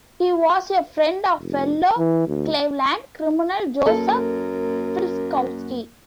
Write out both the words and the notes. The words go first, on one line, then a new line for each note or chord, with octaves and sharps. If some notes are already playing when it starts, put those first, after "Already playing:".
He was a friend of fellow Cleveland criminal Joseph Filkowski.
F1
E3
D2
F#2 A#3 A4 A#4